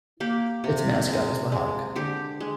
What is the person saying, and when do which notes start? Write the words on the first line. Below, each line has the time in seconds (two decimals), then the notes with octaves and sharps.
Its mascot is the Hawk.
0.20 A#3 G4
0.64 C3
1.08 G#3
1.52 G#3
1.96 D3 G4
2.40 G#3